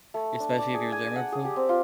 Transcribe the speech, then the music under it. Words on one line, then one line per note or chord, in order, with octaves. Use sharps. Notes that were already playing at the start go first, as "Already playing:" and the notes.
Especially if you're a germaphobe.
A3
D4
D5
G#4
G#5
D5
F#5
G#4
G4
C4
F4